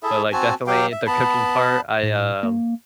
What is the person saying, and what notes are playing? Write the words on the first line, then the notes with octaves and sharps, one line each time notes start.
but like definitely the cooking part I, um
E4 G#4 A4 E5
C4 F#4 G#5 A5
F#3 G4 F5 G5
E5
B3 A5 B5
A2
A#3